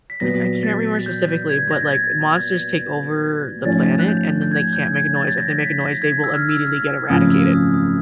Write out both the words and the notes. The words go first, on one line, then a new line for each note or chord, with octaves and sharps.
I f I can't remember specifically, but, like, monsters take over the planet and then they can't make a noise, if they make a noise, they will immediately get eradicated,
B6
A#2 F#3 B3 A#6
A6
G6
G6
G#6
A#6
A6
G#6
A6
G#2 F3 A3 C#4 A6
F#6
G6
G6
G#6
G6
G#6
A6
A6
A#6
A#6
B6
A#6
G#6
E6
F6
E6
F6
G#1 F#2 C#3 F3 A3 D#6
E6
D#6
D#6